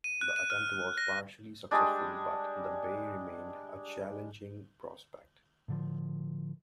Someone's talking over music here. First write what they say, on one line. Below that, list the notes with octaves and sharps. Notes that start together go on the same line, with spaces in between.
The attempt was partially successful but the bay remained a challenging prospect.
D#7
F#6
D#7
F6
A#6
G3 G#3 D4
A2 D3 F3